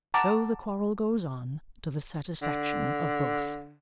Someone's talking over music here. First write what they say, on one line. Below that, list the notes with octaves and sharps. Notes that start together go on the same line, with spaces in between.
So the quarrel goes on to the satisfaction of both.
F#5 A5 A#5 D6
D3